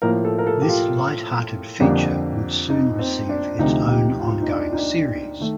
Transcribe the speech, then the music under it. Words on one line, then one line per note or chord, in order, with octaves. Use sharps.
This lighthearted feature would soon receive its own ongoing series.
A2 F3 A#3 A#4
A4
A#4
A4
G4
F4
F2 D3 G3 A#3
D#4
C4
D4
D2 C3 F3 A3 D#4
G4
F4
D#4
D4
D#4
D4
D#3 A3